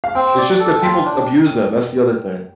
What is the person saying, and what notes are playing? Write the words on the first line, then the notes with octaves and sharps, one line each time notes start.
It's just that people abuse them, that's the other thing.
F5
C4 G5
D5
A4
F4 G5
D4